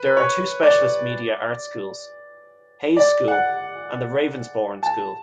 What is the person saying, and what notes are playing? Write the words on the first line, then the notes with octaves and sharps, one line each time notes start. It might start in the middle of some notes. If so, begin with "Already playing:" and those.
There are two specialist Media Arts Schools, Hayes School and The Ravensbourne School.
Already playing: B4
C#5
D5
D5
F#5
A5